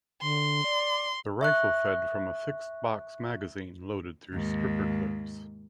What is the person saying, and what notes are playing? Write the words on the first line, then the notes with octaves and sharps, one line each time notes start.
The rifle fed from a fixed box magazine, loaded through stripper clips.
D3 C6
D5
E5 C#6 F#6
D#2 G#2